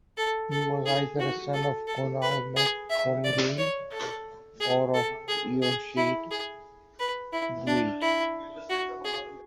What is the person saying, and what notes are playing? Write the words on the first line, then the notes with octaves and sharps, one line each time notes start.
He was either a son of Conall mac Comgaill or of Eochaid Buide.
A4
A4
G#4
F#4
A4
A4
B4
G#4
E5
D5
C#5
A4
G#4
A4
G#4
G#4
E4
G#4
B4
E4
D4
E4
F#4
G#4